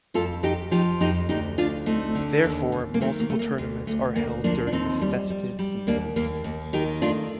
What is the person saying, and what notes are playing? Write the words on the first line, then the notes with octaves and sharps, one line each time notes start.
Therefore, multiple tournaments are held during the festive season.
F2 F4 A4
F2 D#4 G4
F3 D#4 G4
F2 D#4 G4
D2 D#4 G4
D2 D4 F4
A3 C4 D#4
D3
D#2
D#2
A#3
D#3 A3 C4
A#3
A3
A#3
D2
D2 A3
D2 A#3
F3 A#3 D4
D4
D#2 C4 D#4
G3
G3
G3
D#2 A#3 D4
D#2 A#3
D#2
D#3 D#4 G4
A3 D4 F4